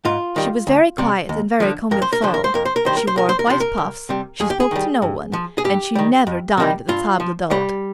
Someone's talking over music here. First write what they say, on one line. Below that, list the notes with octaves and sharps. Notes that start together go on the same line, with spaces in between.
She was very quiet and very comme il faut; she wore white puffs; she spoke to no one, and she never dined at the table d'hote.
G#2 F4
D#3 G3
D2
C3 G3
D#2
D3 F3
F2 A#4
C5
A#4
D3 F3 C5
A#4
C5
F2 A#4
C5
A#4
D#3 G3 C5
A#4
C5
C2 A#4
C5
A#4
C3 F3 C5
A#4
C2
C3 G3
F2 G#4
G4
G#4
D#3 G3
G2
F3
G#4
G2 G4
D#3 G3
F2
C3 D#3 G3
G2 F4
F3
C2 G3